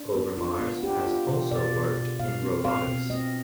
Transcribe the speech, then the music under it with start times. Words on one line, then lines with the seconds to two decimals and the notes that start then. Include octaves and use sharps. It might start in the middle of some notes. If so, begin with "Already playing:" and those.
Overmars has also worked in robotics.
Already playing: D4
0.15 B3
0.38 D4 F4
0.61 B3
0.83 D4 G4
1.06 F4
1.28 B2 C5
1.51 B2 D5
1.74 B2
1.97 B2
2.19 B2 F5
2.42 C4
2.65 C4 F5
2.87 B2
3.10 C4 D#5